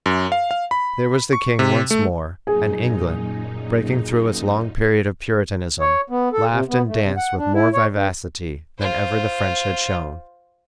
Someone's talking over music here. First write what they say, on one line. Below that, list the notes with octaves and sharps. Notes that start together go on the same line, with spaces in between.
There was the king once more; and England, breaking through its long period of Puritanism, laughed and danced with more vivacity than ever the French had shown.
F#2
F5
F5
B5
C#6
C3
A3
F#2 A#2 D#4 G#4
C#5
B3
A4
C3
B3
A3
C3
F#5
D4
E4
C#5
G2
F4 C5